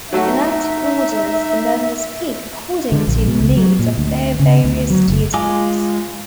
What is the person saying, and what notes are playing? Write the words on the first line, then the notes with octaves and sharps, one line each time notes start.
In active orders the members speak according to the needs of their various duties.
F#3 A3 D#4 F#4 E5
D3
A#1
B2
C#2
F#3
A#2
D2
C#3
D2
F#3
F#1
G#3 F4 G#5 D6